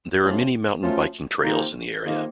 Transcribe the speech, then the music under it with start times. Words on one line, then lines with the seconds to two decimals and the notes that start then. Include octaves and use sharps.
There are many mountain biking trails in the area.
0.22 F#2 F3 A3 C#4 F4
0.82 F#2 F3 A3 C#4 F4
1.43 F2 C3 D#3 A#3 D#4
2.03 F2 C3 D#3 A#3 D#4